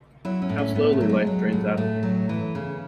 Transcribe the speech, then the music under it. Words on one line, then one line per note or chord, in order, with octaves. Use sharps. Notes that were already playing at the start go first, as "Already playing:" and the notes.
How slowly life drains out of me.
F#3 E4
C#4
A2
C#4
A2 B3
A3
F#3
G#3
F#3
A2
A2 A3
F#3
E3
C#3